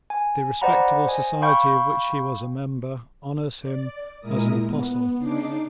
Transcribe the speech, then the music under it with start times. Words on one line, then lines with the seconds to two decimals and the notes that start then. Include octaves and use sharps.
The respectable society of which he was a member honours him as an apostle.
0.10 G#5
0.61 C5 D5 D#5 F#5 A#5 B5
1.05 C5 D#5 G#5
1.42 F5 G5 B5 C#6 G6
3.61 D5
4.20 A#2 G#3 E4 A#4 D#6
4.65 B3
5.17 C#3 D4 D#4 D6 C7